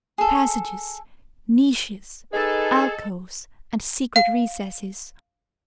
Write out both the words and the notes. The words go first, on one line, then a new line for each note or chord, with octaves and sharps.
Passages, niches, alcoves, and secret recesses.
G#4 A4
D#4 G#4 A4 B4 D#5 A6
F5